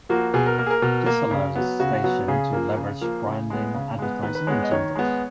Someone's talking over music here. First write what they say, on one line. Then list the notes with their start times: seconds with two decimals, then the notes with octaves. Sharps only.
This allowed the station to leverage branding, advertising, and jingles.
0.09 F3 A#3 F#4
0.34 B2 G#4
0.46 A#4
0.58 A#3 A#4
0.67 G#4
0.70 A#4
0.82 B2
1.06 A#3
1.31 C#3
1.56 F#3 B3
1.80 C#3 F#4
2.04 F#3 B3
2.28 C#3 G#4
2.53 F3 A#3
2.77 C#3
3.01 F3 A#3
3.26 C#3
3.50 G#3 B3
3.74 C#3
3.99 G#3 B3
4.23 D#3 B4
4.35 B4
4.47 G#3 B3 C#5
4.63 D#5
4.71 D#3 C#5
4.95 G#3 B3